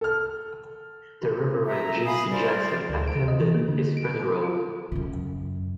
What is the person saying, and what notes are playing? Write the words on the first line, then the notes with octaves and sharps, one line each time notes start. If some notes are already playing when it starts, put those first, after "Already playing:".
The Reverend Jesse Jackson attended his funeral.
A4 F6
E5 A#5
F5 G#5 B5 D#6
A#4 C5 D5
D2
D7
D#5
E3
A#3
D3
D7
F4
F#2 C#3